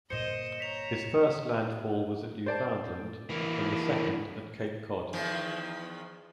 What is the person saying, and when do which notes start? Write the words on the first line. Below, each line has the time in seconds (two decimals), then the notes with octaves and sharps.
His first landfall was at Newfoundland and the second at Cape Cod.
0.10 G1 A#2 C5 D#5 C#7 E7
0.60 C#5 A#5 B6 F7
2.46 C5 D5 A5
3.30 E3 A#3
5.13 E2 D#3 F3